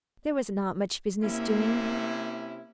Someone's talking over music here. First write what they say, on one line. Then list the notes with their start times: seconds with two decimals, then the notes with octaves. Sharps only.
There was not much business doing.
1.23 C3 A#3 C#4 E4